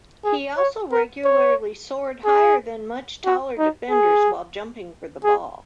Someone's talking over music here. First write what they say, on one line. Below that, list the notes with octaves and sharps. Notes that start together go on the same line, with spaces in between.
He also regularly soared higher than much taller defenders while jumping for the ball.
G#4
C#5
A#4
C#5
G#4
F#4
D#4
G#4
G#4